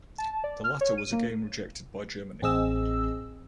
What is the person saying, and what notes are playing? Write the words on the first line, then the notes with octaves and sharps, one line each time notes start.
The latter was again rejected by Germany.
A5
D5
F6
C#5
D#7
A#3
A1 C4 G#4 D#5 E6